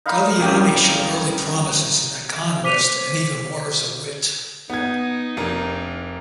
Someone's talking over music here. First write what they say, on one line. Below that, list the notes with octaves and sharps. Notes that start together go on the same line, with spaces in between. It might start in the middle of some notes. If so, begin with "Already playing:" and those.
Galiani showed early promise as an economist, and even more as a wit.
D#4 F5 B5
C2 F#2 G4
C5 D6 B6 D#7 F7
B3 D#4 G#6
F1 D4 A#4